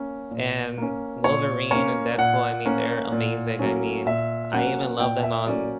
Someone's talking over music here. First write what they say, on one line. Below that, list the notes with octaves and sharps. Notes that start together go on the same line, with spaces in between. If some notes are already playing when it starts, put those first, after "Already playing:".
and Wolverine and Deadpool, I mean, they're amazing. I mean, I even love them on
Already playing: A#3 C#4
A#2
A#3 C#4
A#2 C#5
A#3 C#4 C#5
A#2 F#5
A#3 C#4
A#2
F#3 A#3 C#4
A#2 E5
F#3 A#3 C#4 F#5
A#2 G5
E5
F#3 A#3 C#4 D5